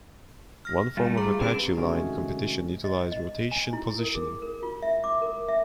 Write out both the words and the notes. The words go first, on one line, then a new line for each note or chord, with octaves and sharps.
One form of Apache line competition utilized rotation positioning.
F6 A#6
G3 A3 F4
G#4 A#5 D6
D3 C4 D4 G4 B4 B5
C3 D#3 G#3 A3 C#4 F#4
D#5
D#5
G#5
E4
A#4
G#4
A#4
F4
E5
D6
A#4
E5